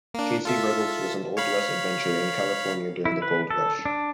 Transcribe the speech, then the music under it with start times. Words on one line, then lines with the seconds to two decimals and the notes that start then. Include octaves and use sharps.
Casey Ruggles was an Old West adventurer in California during the Gold Rush.
0.14 A#3 D4
0.45 F4 A4 E5
1.37 C#5 F5 B5
3.05 E4
3.22 B4
3.51 A4
3.85 D4